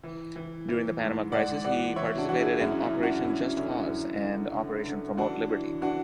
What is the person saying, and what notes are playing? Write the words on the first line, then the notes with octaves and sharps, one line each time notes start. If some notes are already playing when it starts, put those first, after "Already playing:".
During the Panama crisis, he participated in Operation Just Cause and Operation Promote Liberty.
E3
E3
E3
G#2
G#2 D5 F#5
E3 D5 F#5
E3 C#5 E5
D4 F#4
E3 F#4
E4 G#4
F#2 C#4 E4
C#4 E4
F#2
D4 F#4
F#2 C#4 E4
D3 C#4 E4
F#2
D3
D3
D3
E3 D4 F#4
E3
E3 D4 F#4